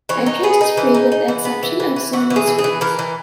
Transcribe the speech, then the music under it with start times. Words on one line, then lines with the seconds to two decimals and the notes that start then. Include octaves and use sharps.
Entrance is free with the exception of cinema screens.
0.09 E3 C#5
0.26 D#4
0.43 B3 G#4
0.61 D#4
0.77 E3
0.94 D#4
1.12 D#4
1.28 E3
1.45 B3
1.63 E3
1.80 E3
1.96 E3
2.13 E3 F#4
2.30 E3
2.36 G#4
2.47 E3
2.58 G#4
2.64 E3
2.81 E3 A#4
2.99 E3